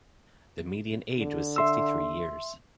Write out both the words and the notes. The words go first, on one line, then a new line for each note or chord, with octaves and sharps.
The median age was sixty-three years.
D3
E5 C6 E6